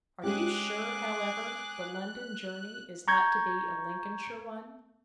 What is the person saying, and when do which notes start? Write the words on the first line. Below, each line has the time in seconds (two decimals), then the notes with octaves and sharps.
Are you sure, however, the London journey is not to be a Lincolnshire one?
0.23 G#3 C#4 G4 G#4 D6 F#6
3.08 A#5 C#6 G6 G#6